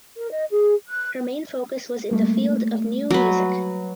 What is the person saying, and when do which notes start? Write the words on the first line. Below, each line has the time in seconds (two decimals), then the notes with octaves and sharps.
Her main focus was in the field of Neue Musik.
0.17 A#4
0.32 D#5
0.50 G#4
0.88 F#6
2.11 G3 A3 A#3
3.11 F#3 B4